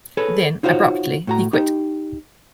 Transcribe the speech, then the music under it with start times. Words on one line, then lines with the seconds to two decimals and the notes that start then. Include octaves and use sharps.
Then, abruptly, he quit.
0.17 G#4 A4 B4 C#5
0.63 D#4 F4 F#4 C5 C#5
1.27 A2 F#4 A#5
1.53 D#4 G4